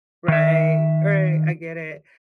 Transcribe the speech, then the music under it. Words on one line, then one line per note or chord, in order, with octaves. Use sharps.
Right, right, I get it,
D#3 E5